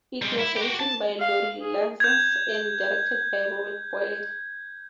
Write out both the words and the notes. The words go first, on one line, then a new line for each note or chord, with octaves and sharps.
It was written by Lori Lansens, and directed by Robert Boyd.
G3 G#3
E4
F#4 G4
A5
F5
G#4
G6 G#6